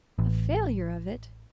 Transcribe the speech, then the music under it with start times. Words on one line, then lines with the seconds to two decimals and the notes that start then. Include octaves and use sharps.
"A failure of it!"
0.19 A1